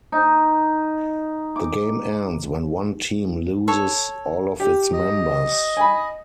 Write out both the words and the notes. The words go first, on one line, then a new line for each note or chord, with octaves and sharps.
The game ends when one team loses all of its members.
D#4
D6
A4 C#5
G4
D#5
G#5 B5